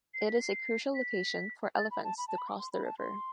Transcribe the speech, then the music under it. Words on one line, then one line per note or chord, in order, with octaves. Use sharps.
It is a crucial location for elephants to cross the river.
C7
B6
C7
B6
A6
B5
A5
B5
A5
B5
D6
C6
B5
A5
C6